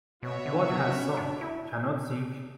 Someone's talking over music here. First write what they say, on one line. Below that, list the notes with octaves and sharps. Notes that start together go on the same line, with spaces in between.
What has sunk, cannot sink.
B2 B3 F#4 C#5 E5
D3
F#3
D4
C#4
D4
E4